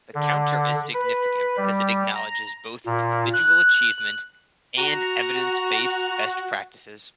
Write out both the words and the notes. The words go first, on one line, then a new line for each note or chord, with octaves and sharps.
The Counter is significant because it acknowledges both individual achievement and evidence-based best practices.
D3
B4
G3
A#5
A#2
F#6
F#4 A#5